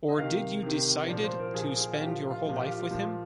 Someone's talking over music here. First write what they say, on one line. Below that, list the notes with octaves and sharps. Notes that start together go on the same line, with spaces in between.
Or did you decided to spend your whole life with him?
D#5
C3 D#3 F5
C3 D#3
A#2 F3 D5
C5
A#4
A#2 F3 G#4
G#4
F4
A#2 F3 G4
F4
F4
A#2 F3
G4
F4
F4
A#2 F3